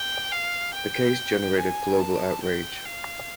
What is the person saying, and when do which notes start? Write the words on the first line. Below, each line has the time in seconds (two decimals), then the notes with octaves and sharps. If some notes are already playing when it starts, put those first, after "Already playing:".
The case generated global outrage.
Already playing: G5
0.32 F5
0.74 G5
1.58 G#5
2.00 A5
2.43 G5
2.85 F5